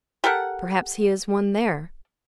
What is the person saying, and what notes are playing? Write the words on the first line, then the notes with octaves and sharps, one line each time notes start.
Perhaps he has won there.
G4 A4 A#4 F#5